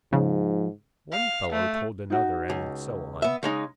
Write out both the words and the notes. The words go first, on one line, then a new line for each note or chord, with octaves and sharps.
One fellow told another and so on.
G#2 C#3 F3
F5
A3
D#4 F#4
C#2
B3 E5
C#3 G#3 D#4